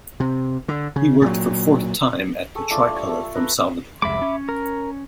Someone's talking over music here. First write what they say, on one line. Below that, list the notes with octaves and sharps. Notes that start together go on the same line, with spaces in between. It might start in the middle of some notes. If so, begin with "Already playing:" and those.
He worked for fourth time at the "Tricolor" from Salvador.
C3
D3
C#3
A#2 F#3
G#4 A4 C#6
A3 D4 F4 D5
G3 C#5
A3
A4
A#4 B4 E5 A#5
C2 F2 G#3 E5 B5 D6
C#4
A#4